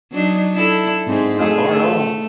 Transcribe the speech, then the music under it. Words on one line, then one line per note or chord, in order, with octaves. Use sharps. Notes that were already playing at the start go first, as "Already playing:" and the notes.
not far at all.
F#3 D4 D#4
D4 E4 A4
G#2 C4
A3 G#4
A3